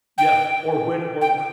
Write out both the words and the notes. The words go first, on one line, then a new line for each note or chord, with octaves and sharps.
yeah, or when or
G5
G5